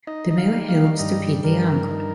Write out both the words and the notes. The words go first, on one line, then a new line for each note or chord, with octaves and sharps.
The male helps to feed the young.
D#4 D#5
D#5
F5
G3
F5
G2 D#5
G2 A#4
D#4